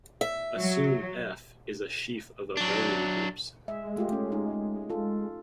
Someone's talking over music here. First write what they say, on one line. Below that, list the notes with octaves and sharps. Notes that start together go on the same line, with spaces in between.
Assume "F" is a sheaf of abelian groups.
E5
F#3
F#3 D4
G#3 E5
A3 F4 G4
A3 C#4
D#4
F4 A4